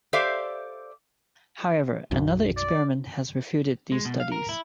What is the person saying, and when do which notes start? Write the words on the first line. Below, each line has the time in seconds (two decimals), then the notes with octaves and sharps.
However, another experiment has refuted these studies.
0.13 G4 A4 C5 D5 E5 F5
2.11 B1 F#2
2.57 D5
3.92 G#3
4.05 B2
4.20 F5
4.32 A#4
4.49 E4